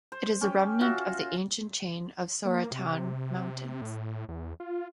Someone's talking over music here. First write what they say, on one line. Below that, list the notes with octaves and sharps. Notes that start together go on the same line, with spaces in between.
It is a remnant of the ancient chain of Sauratown Mountains.
C5
C#4 G4
F4 F#4 E5
A#3
C3
A2
E2
F4